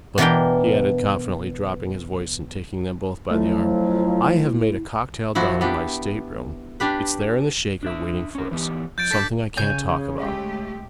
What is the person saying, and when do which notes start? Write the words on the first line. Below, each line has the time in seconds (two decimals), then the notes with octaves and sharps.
But," he added confidentially, dropping his voice and taking them both by the arm, "I have made a cocktail down in my stateroom--it's there in the shaker waiting for us, something I can't talk about.
0.18 B2 E3 D4 A#4 G5
3.31 F2 F3 F#3 A3 E4
5.35 A#2 F3 E4 F#4
5.61 B3 D4 G4
6.80 D4 G4 B4
7.83 D4 E5
8.35 C#4 A#4
8.51 E3 B3 G4
8.98 F2 G6 A6 D7
9.11 D4 A4 A6 B6
9.57 C#3 C#5 G#5 G6
10.19 G#3 A3 G4